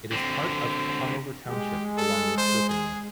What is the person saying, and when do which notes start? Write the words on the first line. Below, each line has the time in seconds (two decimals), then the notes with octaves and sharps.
It is part of Hanover Township along with Whippany.
0.12 D3 C4
1.48 G#3 G4
1.97 A4
2.38 C5
2.69 G#4